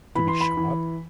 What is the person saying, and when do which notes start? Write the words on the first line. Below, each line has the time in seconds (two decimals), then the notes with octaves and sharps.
To be shot?
0.15 E3 B5
0.28 C6
0.41 B5
0.57 E3